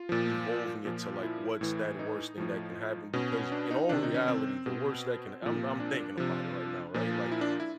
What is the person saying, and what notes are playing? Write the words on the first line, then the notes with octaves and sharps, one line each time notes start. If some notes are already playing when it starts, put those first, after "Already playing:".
evolving it to, like, what's that worst thing that can happen? Because in all reality, the worst that can I'm I'm thinking about it right now, right? Like
Already playing: F4
A#2 F3
A#2 F3
E4
A2 E3
D#4
A2 F3
B2 C#4
C#4
D4
D#4
C3 D#3 D4
D#4
C#4
C4
B2
A#2 F3
D4
C3 F3
A#2 F3
E4
D4
E4